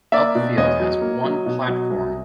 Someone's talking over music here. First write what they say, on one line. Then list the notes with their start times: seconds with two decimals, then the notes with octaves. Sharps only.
Upfield has one platform.
0.12 A#3 D5 E5
0.35 B2
0.57 E2 C#5 D#5
0.80 F#3
1.02 A#3
1.24 F#3
1.46 B2
1.68 F#3
1.90 C2